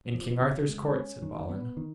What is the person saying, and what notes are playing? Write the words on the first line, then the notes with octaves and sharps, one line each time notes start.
In King Arthur's court, said Balin.
F3
C#3
G#3
C#4
D#3
B3
D#3